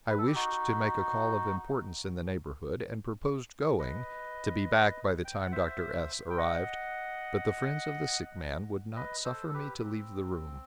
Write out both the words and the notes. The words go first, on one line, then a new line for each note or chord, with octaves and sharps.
I wished to make a call of importance in the neighbourhood, and proposed going, to be back by the time Dr. S-- arrived; but the friends of the sick man would not suffer me to leave the room.
B4
A4
G4
D#4 F#4
B4 D#5
G5
F#5
C5 E5
G5
D#5 F#5
B4 D#5
A4 C5
A4
G4 B4
C4